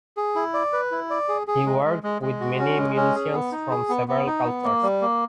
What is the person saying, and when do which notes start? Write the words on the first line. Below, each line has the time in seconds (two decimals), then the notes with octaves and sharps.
He worked with many musicians from several cultures.
0.17 G#4
0.35 E4
0.54 D5
0.73 B4
0.91 E4
1.10 D5
1.29 G#4
1.47 G#4
1.66 G#3
1.84 G#3
2.03 G#3
2.22 G#3
2.40 F#4
2.59 C#4
2.78 G#3
2.96 C#4
3.15 G#4
3.34 B3
3.52 D#4
3.71 G#4
3.89 B3
4.08 B3
4.27 D#4
4.45 B3
4.64 A#3
4.83 G3
5.01 A#3